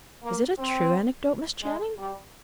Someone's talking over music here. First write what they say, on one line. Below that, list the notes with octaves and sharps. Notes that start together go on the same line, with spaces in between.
"Is it a true anecdote, Miss Channing?"
A#3
C4
G#3
G3